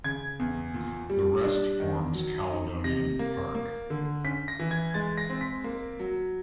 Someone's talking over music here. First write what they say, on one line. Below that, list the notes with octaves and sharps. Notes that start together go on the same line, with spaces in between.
The rest forms Caledonian Park.
C#3 G#6
E2
A#2
G3
D4
D#3
F#3
D#4
C3 A#6
A#3
A#3
D3
C#4 B6
A#6
E3
G#6
G#3 A6
A#6
C4
B6
A#3
F#3